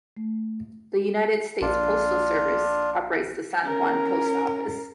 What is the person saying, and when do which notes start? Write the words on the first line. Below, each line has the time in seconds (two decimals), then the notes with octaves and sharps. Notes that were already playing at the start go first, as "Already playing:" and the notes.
The United States Postal Service operates the San Juan Post Office.
0.17 A3
1.61 A#1 D4 F4
3.63 C#4 A#4